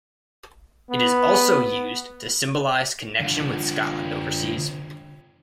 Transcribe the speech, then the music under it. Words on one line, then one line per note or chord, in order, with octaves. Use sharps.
It is also used to symbolise connection with Scotland overseas.
B3
D3 F4